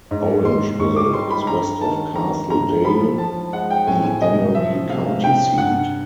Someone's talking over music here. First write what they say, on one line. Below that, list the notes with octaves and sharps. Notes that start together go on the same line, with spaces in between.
Orangeville is west of Castle Dale, the Emery County seat.
G#2
G#2 C6
G#2 C#6
D6
G3 C6
B5
G2 A#5
D#3 A5
D#3 A#5
G2 A#5
F3 B5
F3 A5
G#3 F#5
G5
A2 G#5
G#5
C3 D#5
F3 E5
C3 F5
C3 G5
G2 F#5